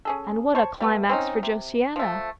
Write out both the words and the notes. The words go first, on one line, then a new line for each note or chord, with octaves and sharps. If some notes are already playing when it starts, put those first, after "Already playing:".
And what a climax for Josiana!
C#4 G#4 A4
C5 C#5 A5 C#6
G3 A3 B3
C4 C#4 D#4
C3
F3 A3